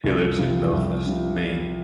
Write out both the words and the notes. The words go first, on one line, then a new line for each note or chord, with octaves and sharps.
He lives in Belfast, Maine.
C2
C3 F3
C2
C3 F3